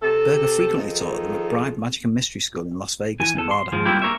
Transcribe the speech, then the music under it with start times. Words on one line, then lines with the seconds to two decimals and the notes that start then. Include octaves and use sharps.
Burger frequently taught at the McBride Magic and Mystery School in Las Vegas, Nevada.
0.02 C3 A4
0.77 D#3 F3 D#4 G#4 A4
3.20 E3 G#5
3.36 E2 A4
3.51 C6
3.72 D#2 G#2 F3 G#3
3.85 G3 A#3 C4 E4 F4 G4
4.02 A#3 A#4 C#5 E5